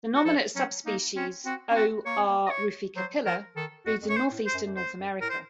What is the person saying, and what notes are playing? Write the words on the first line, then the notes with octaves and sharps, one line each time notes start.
The nominate subspecies, "O. r. ruficapilla", breeds in northeastern North America.
F#4
F3 A4
F#3 C#4
A#3 D#4
C4 C#4
C4 F#4
C#4
C4 F#4
A#3 C#5
C4
A#3
D#5
C#5
F#3 C5
F3 A#4
D#3 A4
F2 F#4
F2
F#2 C#5
C5
A2
C5
F#2
F#2
F2 C5
F#2
A2 A#4
C5